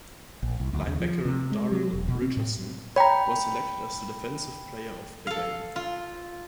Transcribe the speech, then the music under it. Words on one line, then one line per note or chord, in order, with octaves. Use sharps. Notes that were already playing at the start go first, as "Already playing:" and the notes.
Linebacker Daryl Richardson was selected as the Defensive Player of the Game.
A#1
C2
D2
D#2
F3
C3
G#3
F#3
E1
B2
C4
A2
C#5 G5 A#5 B5
A4 F5
F4